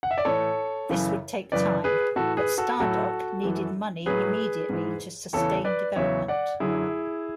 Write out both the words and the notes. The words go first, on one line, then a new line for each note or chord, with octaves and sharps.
This would take time, but Stardock needed money immediately to sustain development.
F#5
E5
D5
A2 E3 A4 C#5
F#2 C#3 E3
F#2 C#3 E3 B4 D5
G#4 B4
A2 E3 F#4 A4
G#4 B4
F#4 A4
A2 F#3 F#4 A4
F#2 E3
A2 F#3 G#4 B4
G#2 E3
E2 C#3 E3 A4 C#5
B4 D5
E2 C#3 F#3 C#5 E5
D5 F#5
F#2 D3 F#3 E4 G#4